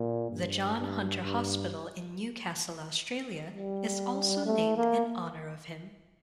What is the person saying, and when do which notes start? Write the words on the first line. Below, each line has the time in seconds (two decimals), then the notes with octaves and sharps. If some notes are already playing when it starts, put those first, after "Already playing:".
The John Hunter Hospital in Newcastle, Australia is also named in honour of him.
Already playing: A#2
0.31 G2
0.76 G2
1.22 G2
3.54 G3
4.46 A3
4.77 A#3